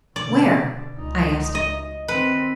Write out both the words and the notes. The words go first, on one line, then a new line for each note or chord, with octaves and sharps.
"Where?" I asked.
B2 D3 D5
C#2 D#4
D#5
D#3 C4 B4